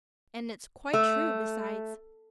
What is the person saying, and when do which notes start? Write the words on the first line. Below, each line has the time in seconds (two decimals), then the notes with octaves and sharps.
And it's quite true besides.
0.93 A3